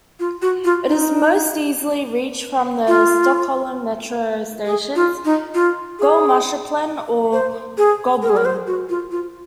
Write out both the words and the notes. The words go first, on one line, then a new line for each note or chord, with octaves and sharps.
It is most easily reached from the Stockholm metro stations Gullmarsplan or Globen.
F4
F#4
F4
D#4
F4
G#4
F4
D#4
F4
G#4
C5
G#4
A#4
G#4
A#4
C5
F#4
F4
F4